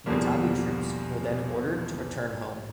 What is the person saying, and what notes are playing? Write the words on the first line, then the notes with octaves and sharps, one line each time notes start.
The Batavi troops were then ordered to return home.
E2 B2 D3 F3 G3 A#3